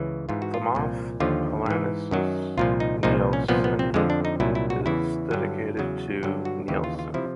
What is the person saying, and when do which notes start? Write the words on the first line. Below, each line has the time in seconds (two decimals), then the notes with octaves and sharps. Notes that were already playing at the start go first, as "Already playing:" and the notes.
The moth "Pollanisus nielseni" is dedicated to Nielsen.
Already playing: C#2 C#3 E3
0.29 G#2 E3 F4
0.42 F#4
0.54 F4
0.75 C2 A#2 F3
1.20 D#2 D3 F3 F4
1.66 G#2 E3
2.11 F#2 D#3 F#3
2.57 C2 A#2 F3 F4
2.80 D#4
3.03 C2 A#2 F3 D#4
3.33 C#4
3.48 C2 A#2 F3 B3
3.64 B3
3.79 C4
3.94 F2 D3 F3 G#3
4.10 D4
4.25 D#4
4.40 C2 A#2 F#3 E4
4.55 E4
4.70 F#4
4.86 E2 C#3 E3 E4
5.31 G2 D3 F#3
5.77 E2 C#3 F#3
6.23 G2 D3 F#3
6.45 F#4
6.68 D#2 C#3 E3 G4
6.84 F4
6.99 F4
7.14 C3 F3 E4